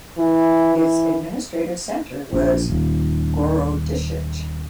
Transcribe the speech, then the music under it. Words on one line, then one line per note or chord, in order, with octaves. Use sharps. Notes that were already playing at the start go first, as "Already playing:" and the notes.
Its administrative centre was Gorodishche.
E3
E3
A#1
D#1